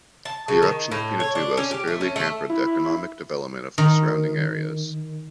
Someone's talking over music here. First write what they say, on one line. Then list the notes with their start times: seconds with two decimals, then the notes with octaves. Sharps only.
The eruption of Pinatubo severely hampered the economic development of the surrounding areas.
0.25 A5
0.48 C#3
0.62 D#3
0.92 A2
1.20 C#5
1.35 D4
1.57 C#4
1.71 G4
1.88 A3
2.01 C#4
2.16 A3
2.50 E4
3.78 D#3